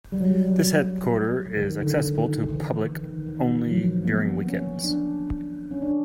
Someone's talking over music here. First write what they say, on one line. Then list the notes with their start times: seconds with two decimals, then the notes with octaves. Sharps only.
This headquarter is accessible to public only during weekends.
0.12 G3
0.21 F#3
0.29 G3
0.49 F#3
1.57 D#3
1.81 D3
2.05 D#3
2.54 E3
3.03 D#3
3.26 D#3
3.51 E3
3.70 F#3
3.75 F3
4.04 A#3
4.11 B3
4.48 C#4
4.84 D4
5.71 C#4
5.82 D4